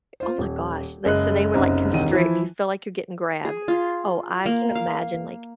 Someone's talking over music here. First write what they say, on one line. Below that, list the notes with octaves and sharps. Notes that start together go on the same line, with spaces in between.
oh my gosh, like, so they would, like, constrict You feel like you're getting grabbed. Oh, I can imagine, like
F4 C5
D#1
F#1 G#3 D#5 F#6
F#1 C2 F#2 D#4 C5
E1 C2 D#3 D#7
E3 F3 E4
G#4
F4
A#3
F5